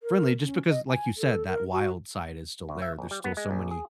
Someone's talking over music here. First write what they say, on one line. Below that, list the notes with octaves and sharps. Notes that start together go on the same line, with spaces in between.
friendly just because, like you said, that wild side is still there, there's still so many
A#4
C#4
D#5
G#5
A4
A#4
F#4
D2
E5
A#1
G3
B3
G#3
A#1
G#4